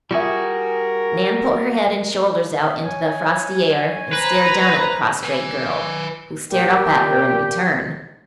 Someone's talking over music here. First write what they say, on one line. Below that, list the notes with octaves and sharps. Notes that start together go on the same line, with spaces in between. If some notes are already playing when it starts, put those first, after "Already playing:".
Nan put her head and shoulders out into the frosty air and stared down at the prostrate girl, who stared up at her in return.
G3 F4 F#4 G#4 A#4 E5
C#5 G#5
B4 C5 A#5
B4 G#5
A#2 G4 G5